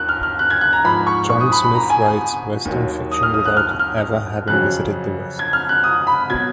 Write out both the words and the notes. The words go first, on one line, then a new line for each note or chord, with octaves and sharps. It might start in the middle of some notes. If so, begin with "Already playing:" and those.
John Smith writes Western fiction without ever having visited the West.
Already playing: D#2 D#3 F#6
F6
F6
F#6
G#6
F#6
A#5
G#2 F3 B5
C#6
C#6
D#6
B5
B5
A#5
G#5
G#5
D#2 D#3 F#3
D#6
F6
D#6
F#6
F6
F6
F2 C#3 F#3 F#6
G#6
F6
F#6
D#6
B5
B2 F#3 G#6